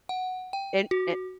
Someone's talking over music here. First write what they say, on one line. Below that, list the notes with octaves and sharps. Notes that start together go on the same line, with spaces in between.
And an
F#5
G5
F#4